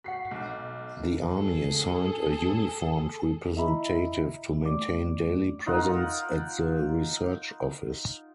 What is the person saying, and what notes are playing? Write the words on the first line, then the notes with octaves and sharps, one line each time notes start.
The army assigned a uniformed representative to maintain daily presence at the research office.
F#4 F#5 B6 C7
B1
G#4 A4
E4 D#5 E5 A#5 B5
A3 D5 D6
D#4 F4 A#4 F#5